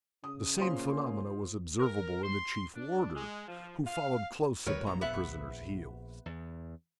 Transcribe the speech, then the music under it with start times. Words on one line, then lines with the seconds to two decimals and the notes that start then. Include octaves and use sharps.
The same phenomenon was observable in the chief warder, who followed close upon the prisoner's heels.
0.24 C#3 D#6
0.58 A#3 C#4 F4 C5 C6
1.79 A#4
2.23 C6
2.76 D4
3.15 G#3
3.48 F3
3.85 F5
4.66 D2 D#3 G3 A#4 B4 C#5
4.87 A1 F#2 A#2 A#5
5.01 A#1 B3 E5 F#5
6.26 E2